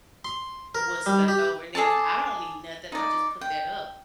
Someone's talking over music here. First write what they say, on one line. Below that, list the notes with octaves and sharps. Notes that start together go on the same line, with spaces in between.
what's left over, and then if I don't need nothing, I just put that up,
C6
A#4
G3
G4
G#4 A4 D5 A5
D#4 D5
G5